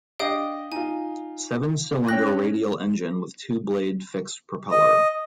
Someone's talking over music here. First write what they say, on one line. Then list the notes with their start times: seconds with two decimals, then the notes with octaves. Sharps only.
Seven-cylinder radial engine with two-blade fixed propeller.
0.19 D4 G4 D#5 F5 G5 D#6
0.72 D#4 F4 G#5
2.08 C#4 G5 F#6 A#6
4.71 D#5